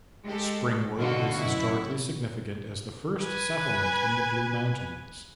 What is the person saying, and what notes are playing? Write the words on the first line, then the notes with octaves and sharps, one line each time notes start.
Springwood is historically significant as the first settlement in the Blue Mountains.
G#3 G4 A4
B2 D3 F4 F#4 A4
F#2 B2 E4 C#6
B4 G#5